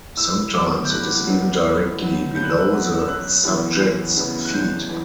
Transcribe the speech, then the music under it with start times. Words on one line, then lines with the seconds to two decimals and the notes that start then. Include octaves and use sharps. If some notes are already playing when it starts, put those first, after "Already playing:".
Sometimes, it is even directly below the subject's feet.
0.17 A2 E6
0.54 F#3 B3 D6
0.85 G6
0.90 A2 F#6
1.27 F#3 B3
1.63 A2
1.99 F#3 B3
2.35 A2 G6
2.43 F#6
2.50 E6
2.58 F#6
2.72 F#3 B3
2.99 E6
3.08 F#2 F#6
3.44 C#3 E3 B3
3.80 F#2
4.17 C#3 E3 B3
4.45 F#6
4.53 F#2 G6
4.89 E3